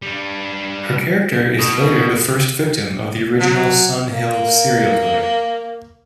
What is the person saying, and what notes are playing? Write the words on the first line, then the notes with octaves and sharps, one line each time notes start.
Her character is later the first victim of the original Sun Hill Serial Killer.
G3 D4
B2
F#3
A#3